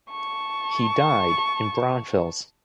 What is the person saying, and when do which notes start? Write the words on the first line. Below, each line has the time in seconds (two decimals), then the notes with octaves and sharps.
He died in Braunfels.
0.11 A5 C#6